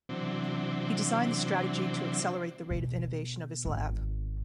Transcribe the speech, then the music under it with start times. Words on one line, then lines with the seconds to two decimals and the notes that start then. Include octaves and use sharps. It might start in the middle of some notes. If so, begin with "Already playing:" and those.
He designed the strategy to accelerate the rate of innovation of his lab.
0.09 C3 E3 F#3 C4 D4
2.70 B2
3.65 G#1